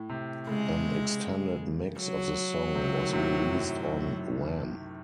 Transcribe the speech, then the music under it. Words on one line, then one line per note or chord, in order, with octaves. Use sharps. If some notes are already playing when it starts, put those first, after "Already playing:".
An extended mix of the song was released on Wham!
Already playing: A2
C3
C#3 G#3
F#3
C3
D#3
A2
C3
A2
F#2